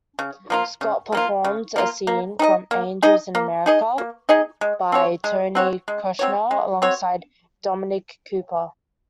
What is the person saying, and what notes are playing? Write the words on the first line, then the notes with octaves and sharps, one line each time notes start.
Scott performed a scene from "Angels in America" by Tony Kushner alongside Dominic Cooper.
C#3
F3 A#3 F4
C#3
F3 A#3 F4
C#3
F3 A#3 F4
A#3
D#4 G#4 D#5
A#3
D#4 G#4 D#5
A#3
D#4 G#4 D#5
A#3
D#4 G#4 D#5
G#3
C4 F#4 C#5
G#3
C4 F#4 C#5
G#3
C4 F#4 C#5
G#3
C4 F#4 C#5